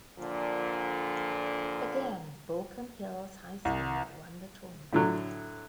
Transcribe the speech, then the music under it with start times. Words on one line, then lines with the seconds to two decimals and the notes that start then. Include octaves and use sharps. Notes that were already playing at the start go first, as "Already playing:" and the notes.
Again, Baulkham Hills High School won the tournament.
0.18 A#2 D3 F3
3.65 C2
4.93 A2 D3 F#3